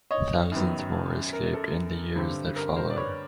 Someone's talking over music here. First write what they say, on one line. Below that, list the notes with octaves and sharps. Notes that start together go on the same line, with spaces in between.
Thousands more escaped in the years that followed.
C#5 D#5
F#2 D#3 F#3 B3
A#4
A4
G2 D3 G3 C4
A#4
A#4 C5
D5
B4 C#5